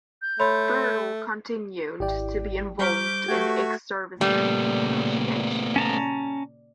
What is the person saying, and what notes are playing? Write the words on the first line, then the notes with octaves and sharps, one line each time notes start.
Thurtle continued to be involved in ex-servicemen's associations.
G6
A3 C#5 B5 C6
G#1 E4 G4 D5 G5
G3 C5 A#5 C#6 D6 F6 G6 B6
A3 F#4 G4 B4 G#6
A#2 C#3 G3 A3 B3
C#4 A5 A#5